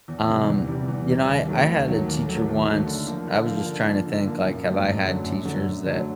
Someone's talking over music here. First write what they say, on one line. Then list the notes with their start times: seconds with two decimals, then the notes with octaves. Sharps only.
um, you know, I I had a teacher once I was just trying to think, like, have I had teachers that
0.08 E2
0.29 C3 E3 G3
0.48 E2
0.68 C3 E3 G3
0.88 E2
1.08 C3 E3 G3
1.28 D#2
1.48 D#3 F#3 A3
1.67 D#2
1.87 D#3 F#3 A3
2.07 D#2
2.26 D#3 F#3 A3
2.48 D#2
2.67 D#3 F#3 A3
2.87 D3
3.07 F3 A#3
3.27 D3
3.46 F3 A#3
3.66 D3
3.86 F3 A#3
4.06 D3
4.26 F3 A#3
4.45 F#2
4.66 D3 F#3 A3
4.85 F#2
5.05 D3 F#3 A3
5.25 F#2
5.45 D3 F#3 A3
5.64 F#2
5.85 D3 F#3 A3